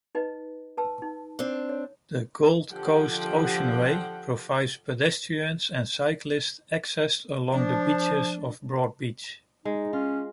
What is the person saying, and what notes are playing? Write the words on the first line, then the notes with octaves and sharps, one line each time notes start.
The Gold Coast Oceanway provides pedestrians and cyclists access along the beaches of Broadbeach.
D#4 B4 D#5
B4 A5 E6
D#4
C4 D4
C#5
D3 F3 G4 F#5 G5
F3 D4
G#3 D#4
C#4 F4